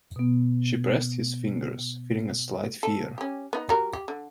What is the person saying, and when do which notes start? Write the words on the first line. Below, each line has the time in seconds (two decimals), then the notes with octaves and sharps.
She pressed his fingers, feeling a slight fear.
0.16 B2 B3
2.83 A4
3.18 C#4 G4
3.53 B3 D#4
3.69 G3 F#4 A#4
3.93 G4
4.08 D3